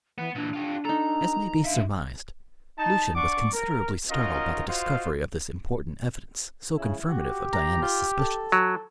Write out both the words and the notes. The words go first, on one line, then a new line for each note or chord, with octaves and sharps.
As may be surmised, Lucian was considerably startled by the discovery of this important evidence so confirmative of Diana's suspicions.
E3 B3
A#2 E3 D4
F4 G4
D#4 A4 A#5
D4 E5 F5
D#4 A5
D4 D5 F#5 C#6 D6
A#4
C#4 D#4 F4 F#4 A#4 D#5
F4 F#4 C5 D#5 F5
C#3 E4
F#4 G4
A#5
F4
A4
F#3